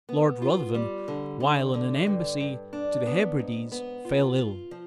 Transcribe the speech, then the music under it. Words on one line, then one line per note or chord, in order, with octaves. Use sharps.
Lord Ruthven, while on an embassy to the Hebrides, fell ill.
B3
F4
G3
D3
D3
D3
G2
G2
D4
B3
G#2
B3
F4
F4
F3